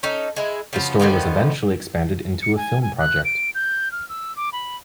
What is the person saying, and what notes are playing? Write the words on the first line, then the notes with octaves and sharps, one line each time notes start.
The story was eventually expanded into a film project.
C#4 D#4 A4
G#3 E4
C#3 F3 B3
D3 D#3 F3 B3
C#7
G#5
G#5
F#6
D7
G6
F6
E6
D6
B5